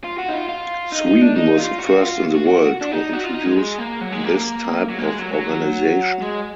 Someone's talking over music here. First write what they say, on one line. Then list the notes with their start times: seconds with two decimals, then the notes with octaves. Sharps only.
Sweden was the first in the world to introduce this type of organisation.
0.04 F4
0.18 F#4
0.29 D#4
0.33 F4
0.49 F4
0.92 D#4
1.07 D#4
1.22 D4
1.36 D#4
1.58 F4
1.80 F#4
2.02 F4
2.36 F#4
2.46 F#4
2.58 F#4
2.81 D4
2.91 D#4
3.13 F#4
3.24 F4
3.35 D#4
3.46 G#3
3.58 G#3
3.79 A#3
4.01 F#3
4.12 G#3
4.24 A#3
4.35 A#3
4.90 F#3
4.99 A#3
5.04 G#3
5.19 F#3
5.34 F#3
6.22 G#3